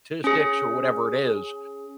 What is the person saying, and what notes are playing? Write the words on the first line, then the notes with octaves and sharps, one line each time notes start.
statistics, or whatever it is,
C#4 G#4